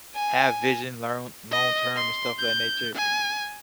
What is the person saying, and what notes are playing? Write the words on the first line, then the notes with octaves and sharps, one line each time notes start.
have vision learn long term and stuff of that nature,
G#5
D#5
C6
G6
G#5